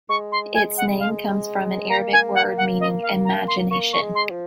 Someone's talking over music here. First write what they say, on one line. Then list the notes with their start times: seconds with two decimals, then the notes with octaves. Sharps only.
Its name comes from an Arabic word meaning "imagination".
0.09 G#3 C#6
0.32 C6
0.54 G#5
0.77 F#5
1.00 F5
1.90 A#3 A#5
2.13 G#5
2.35 F#5
2.58 F#5
2.80 D#5
3.03 F5
3.25 A#5
3.48 C6
3.70 A#3 C#6
3.93 C#6
4.01 G#3
4.15 C6
4.31 F3